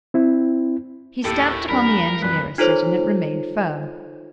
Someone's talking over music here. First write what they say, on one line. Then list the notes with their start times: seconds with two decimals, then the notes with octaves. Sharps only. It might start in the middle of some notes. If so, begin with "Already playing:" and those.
He stamped upon the end nearest and it remained firm.
0.14 C4 E4
1.25 D#2 A2 G4 A4
1.69 E2 G3 D4 A#4 B5
2.22 C2 F#2 B4
2.58 D#4 F4 A4 C5 C#5